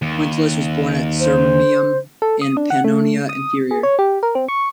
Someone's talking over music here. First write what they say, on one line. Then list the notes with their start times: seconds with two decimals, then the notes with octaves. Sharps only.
Quintillus was born at Sirmium in Pannonia Inferior.
0.02 D#2
1.20 C5
2.22 A4
2.42 D#6
2.57 D4
2.70 F#5
2.84 A3
3.29 D#6
3.71 G#4
3.83 C#5
3.99 G4
4.23 A#4
4.35 C4
4.49 C#6